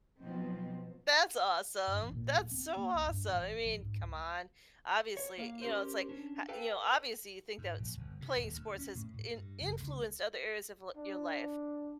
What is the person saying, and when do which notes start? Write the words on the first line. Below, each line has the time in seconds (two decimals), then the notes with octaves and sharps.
That's awesome. That's so awesome, I mean, come on obviously you know, it's, like, h you know, obviously, you think that sp playing sports has in influenced other areas of li your life,
0.20 B2 F3 F#3 B3 C4 D#4
1.87 G2
2.01 A1
2.14 A#2
2.36 D1
2.51 C4
2.77 A#3
2.94 C2
3.07 G2
3.31 A1
3.64 A#1
3.78 G#2
4.00 C#2
5.17 C#5
5.38 A#3 F5
5.62 C#4 G4 A#4 C5
6.09 C#4 D4
6.49 A4 B4 F5 G5 A5
7.58 G#2
7.78 A#1
7.97 G1
8.21 C3
8.36 D#1
8.54 D2
8.79 C#4
8.95 A2
9.14 A2
9.33 G2
9.61 F#1
9.80 C#2
10.96 D4